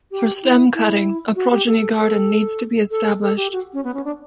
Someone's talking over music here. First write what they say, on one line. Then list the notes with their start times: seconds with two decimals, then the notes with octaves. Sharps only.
For stem cutting, a progeny garden needs to be established.
0.12 G4
0.43 E4
0.74 E4
1.36 F#4
1.52 G4
1.67 A4
1.97 A4
2.91 A4
3.22 A4
3.37 G4
3.53 F#4
3.73 C#4
3.84 B3
3.94 C#4
4.05 D4